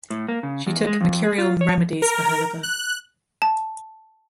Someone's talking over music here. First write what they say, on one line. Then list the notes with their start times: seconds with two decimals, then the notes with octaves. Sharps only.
She took mercurial remedies for her liver.
0.10 A2
0.28 A#3
0.43 C#3
0.67 E2
0.87 G#3
1.01 F2
1.23 G#4
1.38 F4
1.61 C#5
2.02 A#4
2.63 F#6
3.42 A5